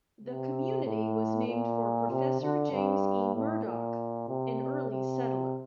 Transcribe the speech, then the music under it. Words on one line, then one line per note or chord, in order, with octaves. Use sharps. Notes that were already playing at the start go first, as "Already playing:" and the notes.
The community was named for Professor James E. Murdoch, an early settler.
C3
A2
A#2
C3
D3
G2
A2
A#2
C3
C3